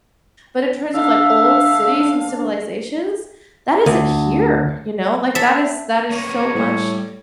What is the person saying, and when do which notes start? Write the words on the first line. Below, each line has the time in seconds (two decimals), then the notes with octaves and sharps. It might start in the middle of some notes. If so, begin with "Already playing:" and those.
But in terms of, like, old cities and civilizations? That isn't here, you know? Like, that is that is so much
0.94 D3 D4 E5 F5
3.86 D2
5.35 A4 E5
6.11 A#3 B3 C#4 C#5
6.55 A2 G3